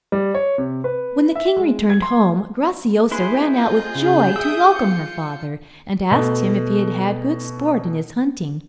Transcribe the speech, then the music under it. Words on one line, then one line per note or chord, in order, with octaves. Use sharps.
When the king returned home, Graciosa ran out with joy to welcome her father, and asked him if he had had good sport in his hunting.
G3
C#5
C3
B4
E5
G#3
G#6
C6
E4 G#4 B4 C5 C6
C4 F4 G#4 D#5 G6
C#3
E5 D#6 E6 D7
F4 C#7
B2 A3